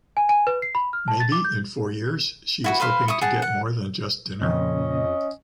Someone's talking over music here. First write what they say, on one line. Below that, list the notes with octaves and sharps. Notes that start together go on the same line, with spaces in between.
Maybe in four years she is hoping to get more than just dinner?
G#5
G#5
B4
C7
B5
F6
A5
A6
D6
G6
E4 F#4 B4
B4 C5 F5 B5
E4 C#6 D#6
G#4 F#5 A5
F#5
F2 A#2 C#3 C#4 D#5